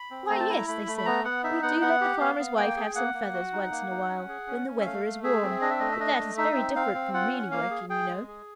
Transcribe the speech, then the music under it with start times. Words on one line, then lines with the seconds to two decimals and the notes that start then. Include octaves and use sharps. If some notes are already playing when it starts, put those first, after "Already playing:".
"Why, yes," they said, "we do let the farmer's wife have some feathers once in a while, when the weather is warm, but that is very different from really working, you know."
Already playing: B5
0.11 C4
0.29 A3 A#5
0.40 A5
0.49 E4 A#5
0.68 A3 B5
0.87 A3
0.98 B5
1.05 B3 A#5
1.24 B3 F#5
1.44 D#4 E5
1.63 B3 F#5
1.81 B3 F#5
2.01 G4
2.20 B3 F5
2.39 B3
2.57 A#3 G5
2.77 G#4
2.95 A#3 F#5
3.14 A#3
3.33 F#4
3.53 D#4
3.71 A#3
3.91 D#4
4.10 C#4
4.29 G#4
4.47 C#4
4.67 C#4
4.81 E5
4.85 A3 F5
5.05 A3
5.24 G#4 E5
5.43 C4
5.61 D4 D#5
5.71 E5
5.79 A3 D#5
5.92 E5
5.99 D4 D#5
6.19 A3
6.38 D#4 E5
6.56 C4
6.75 C4 F5
6.94 C4
7.14 F4 F#5
7.33 C#4
7.51 A#3 F5
7.70 G#4
7.90 G#4 G5
8.09 G#3
8.28 G#4